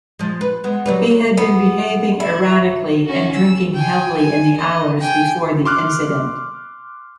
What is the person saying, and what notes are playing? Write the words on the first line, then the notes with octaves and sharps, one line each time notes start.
He had been behaving erratically and drinking heavily in the hours before the incident.
F3 G#3
B4
G#3 B3
F#3 G3 B4
B3
E4
C#4 F#4
E6
G5 G#5
G#5
D#5
G5 G#5
C6 D6 F6 F#6